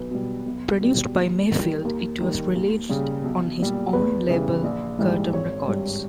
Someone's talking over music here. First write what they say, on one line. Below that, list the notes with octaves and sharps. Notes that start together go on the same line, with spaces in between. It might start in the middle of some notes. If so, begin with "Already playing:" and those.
Produced by Mayfield, it was released on his own label Curtom Records.
Already playing: B1 B4
B2 G3
B1
B2 G3
D#2
D#3 G3
D#2 A#4
D#3 G3
D#2
C#3 G3
B1
A#2 G3
E2 B4
C#3 E3 G3
A#1
G#2 E3 G3
G#1 C#5
G2 G3